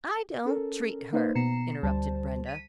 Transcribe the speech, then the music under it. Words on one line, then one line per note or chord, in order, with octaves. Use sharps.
"I don't treat her," interrupted Brenda.
C#4 A4 A#4
A#3 D#4 B4 C5
B2 B3 A#5 C7 C#7 E7
D2 G3 C5 A5
B6 D#7